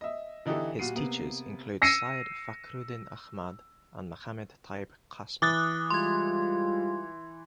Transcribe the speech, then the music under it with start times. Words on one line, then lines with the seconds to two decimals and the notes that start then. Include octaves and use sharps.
His teachers include Syed Fakhruddin Ahmad and Muhammad Tayyib Qasmi.
0.01 D#5 E5
0.46 D3 E3 D#4 E4 G4 A4
0.79 A#2 G3 F#4 C7 D#7
0.96 C3 A#3 B3
1.82 E6 A#6 C7 C#7 D#7
5.42 E3 D6 D#6 F#6 A6
5.90 G3 G#3 F4 C6 G#6